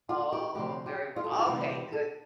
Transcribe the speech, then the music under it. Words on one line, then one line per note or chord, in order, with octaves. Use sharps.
Oh, very w okay, good.
F4
G4
D2 C3 F3 G4
G4
F4
A4
G4
F4
D2 C3 E3 G3 E4
G4
A4